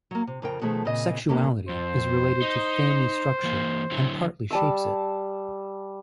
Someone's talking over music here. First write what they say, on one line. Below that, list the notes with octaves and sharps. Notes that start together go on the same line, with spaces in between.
Sexuality is related to family structure and partly shapes it.
F#3 A#3
C3
F2 C#3 A#4 G5
B2 D#3 F3 A3 G#4
A#2 C#3 C4 D#5
E2 B2 D3 D#3 A#3 C#4
F2 C5
D#4
E3 A#3
D3 F#3 E4
G3 A5 E6